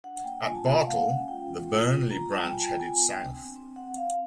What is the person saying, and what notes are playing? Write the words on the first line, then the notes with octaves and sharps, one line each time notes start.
At Bartle, the Burney Branch headed south.
D4 F#5
A#3 G5
F4 G#5
A5
A#3 G#5
F#5
G#3 F5
F#5
C#4
F4 G5
F4
F4
A#3
F4 A#5
A#5
G3 A5
G5
F4 G#5
G5
F4
G#5
B3 G#5
D4 G5
C4
C4
C4 F#5
C4 F5